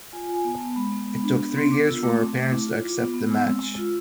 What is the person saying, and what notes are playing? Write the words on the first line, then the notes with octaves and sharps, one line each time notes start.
It took three years for her parents to accept the match.
F4 G#5
F4
G#5
B3 G#5
A5
B3
G#3 B5
B3
G#3
D4
B3 B5
D4 C6
B3 D6
F4 E6
A3 D6
C4
A3
E4
F4
F4
B3
B3
G#3 E6
C4
G#3
F4